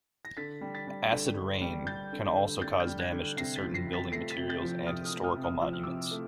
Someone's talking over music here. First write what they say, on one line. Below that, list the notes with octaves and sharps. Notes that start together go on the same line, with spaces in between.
Acid rain can also cause damage to certain building materials and historical monuments.
A#6
D3 A6 B6
G3
A6 B6
G3
D3
D3
G3
G3 G6 A6
D3
D3
G3 G6 A6
F6 G6
G3
F#6 G#6
D3
C3 A#6 C7
A6 B6
F3
A#6 C7
C3
A6 B6
A3 A#6 C7
A6 B6
C3
G6 A6
F3
C3 D#6 F6
D#6 F6
A3
D#6 F6
C3
D#6 F6
F3 E6
F6
C3 D6 E6
A3